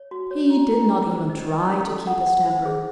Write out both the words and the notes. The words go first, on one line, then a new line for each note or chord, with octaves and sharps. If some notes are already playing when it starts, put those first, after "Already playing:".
He did not even try to keep his temper.
Already playing: C#5
F#4
C#5
E4
E4
G#4
C5
D#5
D#5
C#4
A4
F#5
F#5
C5
G#4